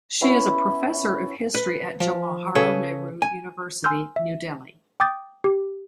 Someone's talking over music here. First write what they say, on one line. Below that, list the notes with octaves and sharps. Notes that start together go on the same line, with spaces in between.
She is a professor of History at the Jawaharlal Nehru University, New Delhi.
B3 C#4 E4
B4
F3
C#3 G#4 A4 B4 C#5
G#5
G#5 C6 E6 F6 G6
E5
G5 D6 D#6 G6 A6
G4